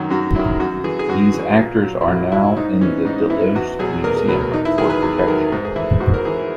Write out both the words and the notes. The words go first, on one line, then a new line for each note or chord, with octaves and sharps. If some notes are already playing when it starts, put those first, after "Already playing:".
These actors are now in the Delos Museum for protection.
Already playing: F#2 D#3 F#3 F#4
F#2 F#4
D#3 F#3 E4
F#2 F#4
E3 G#4
G#4
F#2 F#4
E3
A#2
F#3
E4
A#2 F#4
F#3 E4
G#2 D#4
E3 C#4
G#2 D#4
E3 E4
E2 F#4
B2 F#3 G#4
E2 A#4
A#4
B2 F#3 B4
A#4
E2 D#4
E4
D#3 F#3 G#4
B4
E2
B4
D#3 F#3 A#4
G#2 A#4
G#4
E3 E4
G#2 F#4
A#4
E3 G#4